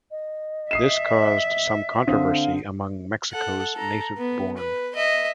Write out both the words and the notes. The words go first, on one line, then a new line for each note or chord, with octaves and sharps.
This caused some controversy among Mexico's native-born.
D#5
E5 D#6 C7 E7
D3 C4 F5 D#6
A4 F#5
A4 A#5
B3
B4
D#5 E5